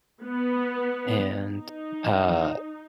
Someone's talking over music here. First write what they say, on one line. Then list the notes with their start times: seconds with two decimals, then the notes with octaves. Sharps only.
and, uh
0.22 B3
1.53 D#4